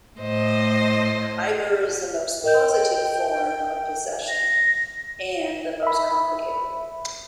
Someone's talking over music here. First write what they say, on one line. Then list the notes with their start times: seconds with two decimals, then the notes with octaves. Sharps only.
"Ibbur" is the most positive form of possession, and the most complicated.
0.20 A2 C5 D#5
2.44 A#4 D#5 G5 G6
4.28 A#6
5.83 E5 B5